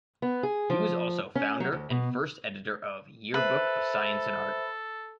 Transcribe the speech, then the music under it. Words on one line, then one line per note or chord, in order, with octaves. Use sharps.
He was also founder and first editor of "Year-Book of Science and Art".
B3
G#4
F3
C#4
F#3
D2
B2
A4 B4 C5 E5